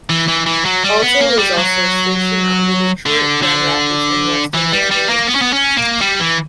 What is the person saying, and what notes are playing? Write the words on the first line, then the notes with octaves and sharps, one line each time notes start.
Alto was also a station on the Detroit, Grand Rapids and Western Railroad.
E3
E3
E3
F#3
G3
B3
A#3
G3
F#3
D3
D3
E3
G3
G3
A#3
B3
C#4
B3
C#4
A#3
G3
E3